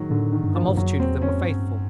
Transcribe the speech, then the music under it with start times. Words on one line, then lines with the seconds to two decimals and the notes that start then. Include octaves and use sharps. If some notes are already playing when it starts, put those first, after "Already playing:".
A multitude of them were faithful.
Already playing: D#3 F#3
0.10 A2 D3
0.32 D#3
0.44 G2
0.55 F3
0.68 G2
0.77 F#2 F#3
1.00 E2 C4
1.22 F2 C#4
1.44 G2